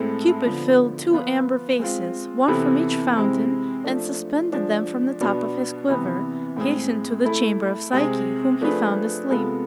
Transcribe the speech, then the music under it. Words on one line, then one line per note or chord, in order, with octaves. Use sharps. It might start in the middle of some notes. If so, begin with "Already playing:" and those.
Cupid filled two amber vases, one from each fountain, and suspending them from the top of his quiver, hastened to the chamber of Psyche, whom he found asleep.
Already playing: A2 G#3 C4 E4 A4
D3 F3 B3
F3 B3 F4 B4
G#3 C4 F4
C3 E3 B3 E4 A4
C3 G#3 C4 E4
F3 A3 D4
F3 G#3 D4
B2 B3 D4
C3 E3 B3
A2 G#3 C4 G#4
A3 E4 A4
C3 G#3 C4 G#4
F3 A3 D4 G#4 B4
C3 G#3 B3 F4 A4